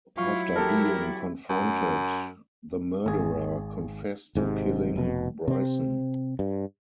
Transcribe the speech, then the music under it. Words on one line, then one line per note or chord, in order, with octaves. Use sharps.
After being confronted, the murderer confessed to killing Bryson.
F#3 E4 F4 C#6
G4 A4 A#4 A5
F#2
G#1 G#4
G#1 G#2 C3
F1 B2
C3 C4
G2